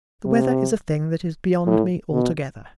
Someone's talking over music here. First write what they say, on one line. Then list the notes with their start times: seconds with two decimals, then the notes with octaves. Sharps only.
The weather is a thing that is beyond me altogether.
0.26 C3
1.67 A2
2.13 B2